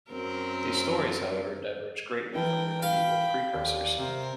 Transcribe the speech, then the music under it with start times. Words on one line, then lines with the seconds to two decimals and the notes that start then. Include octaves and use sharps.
These stories, however, diverged greatly from their medieval precursors.
0.11 F#2 C4 A#4
2.35 E3 E4 A4 A#4 G5
2.82 F5 B5
3.54 D#2 D5
3.98 C3 A#4 C5